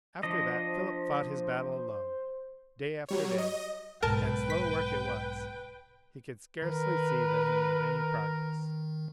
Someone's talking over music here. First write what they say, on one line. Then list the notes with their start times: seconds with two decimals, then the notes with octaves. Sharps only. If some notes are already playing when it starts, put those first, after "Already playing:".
After that, Philip fought his battle alone, day after day, and slow work it was; he could scarcely see that he made any progress.
0.23 F3 D4 C5 D#5
3.09 F#3 G3 C#5
3.38 D#5
4.03 B1 G#2 A#4 B4 G5 A5
4.50 B6
6.62 D#3 A#4 B4